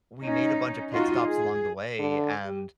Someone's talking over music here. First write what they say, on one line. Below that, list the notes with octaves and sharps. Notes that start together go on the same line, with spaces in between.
we made a bunch of pit stops along the way and,
C#4 D#4
D#4 F4 F#4 D#5
G#4
D3
G4